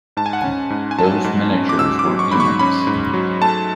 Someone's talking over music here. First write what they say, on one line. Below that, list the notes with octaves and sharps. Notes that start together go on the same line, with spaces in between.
Those miniatures were humans.
G#2 A5
G#5
F#5
C#4 G#5
G#2
G#5
F#3 A5
G#2
C#4
D6
G#2 E6
D6
F#3
C#6
G#2 B5
C#6
C#4 B5
G#2
F#3
A3 A5